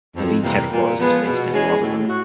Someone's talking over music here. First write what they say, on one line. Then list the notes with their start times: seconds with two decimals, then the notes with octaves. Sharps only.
The League headquarters is based in Rotherham.
0.15 F2
0.43 C3 E3 G3 A#3
0.71 A#2
0.98 F3 G#3 B3
1.26 B2
1.53 G#3 C#4 E4 G#4
1.81 A2
2.08 F#4